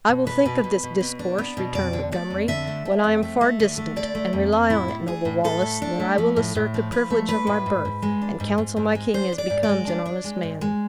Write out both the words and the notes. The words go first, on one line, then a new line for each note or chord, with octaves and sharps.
"I will think of this discourse," returned Montgomery, "when I am far distant; and rely on it, noble Wallace that I will assert the privilege of my birth, and counsel my king as becomes an honest man."
B2
B3 B4
B2
B2
B2
B2
D4
B3
B2
F2 D5
D3
A3 D5
F2
D3 E5
A3
A3
F2
A3
A3
D3
A3
D3 D5
A3
F2
F2
A2 E4
A3
D4 G#4
A2
A2 A4
A3
D4
A3
F3
A2
A2
F3
F3 B4
A3
D4 B4
A2
G#2
G#2
G#3
D4
G#2
G#2
G#2
G#3
D4 C5
D4
D5
G#2
D5
G#3
D4
D4
G#3
G#2
G#3